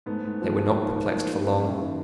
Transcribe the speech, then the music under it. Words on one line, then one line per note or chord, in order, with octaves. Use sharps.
They were not perplexed for long.
G#2 A3 B3
G#2
F3
F3
G#2 A#3
G#2
F3
F3
F#2
F#2
D#3